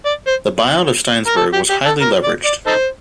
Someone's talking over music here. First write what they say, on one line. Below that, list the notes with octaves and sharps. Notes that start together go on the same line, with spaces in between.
The buyout of Steinberg's was highly leveraged.
D5
C5
A#4
A4
G4
G4
A4
A#4
D5
D5
D#4 A4 C5